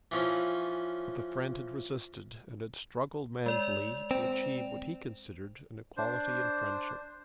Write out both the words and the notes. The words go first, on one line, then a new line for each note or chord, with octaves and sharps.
But the friend had resisted, and had struggled manfully to achieve what he considered an equality in friendship.
E3 F3 C#4
G#3 D5 F7
C4
D4 C5